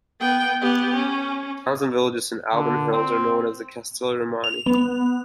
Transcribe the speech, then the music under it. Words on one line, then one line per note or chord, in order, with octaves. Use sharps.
The towns and villages in the Alban Hills are known as the Castelli Romani.
B3 G5
B3 G4
C#4
D3
C4
F7
B3